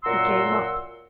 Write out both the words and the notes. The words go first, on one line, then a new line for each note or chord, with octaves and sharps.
He came up.
F#2 A#2 F#5 A#5 C6 E6